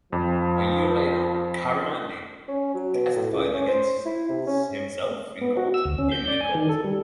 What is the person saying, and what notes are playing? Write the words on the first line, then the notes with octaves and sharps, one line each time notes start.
A year later, Caramandi testified against him in court.
F2 F3
C#4
F#3
B2
A2
C#2
C#4
C5
E4
C3
C#4
B3
F#4
E6
D2
C#4
G6
D5
G#5
D#3
A4
G3